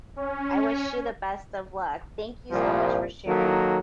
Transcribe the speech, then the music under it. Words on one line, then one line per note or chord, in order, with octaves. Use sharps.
I wish you the best of luck. Thank you so much for sharing,
C#4
C2 A#2 F3 G3
D#3 F#3 A#3 A4